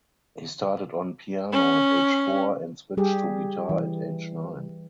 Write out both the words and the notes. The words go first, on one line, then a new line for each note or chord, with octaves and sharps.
He started on piano at age four and switched to guitar at age nine.
C#4
G3 G4 G#4
E3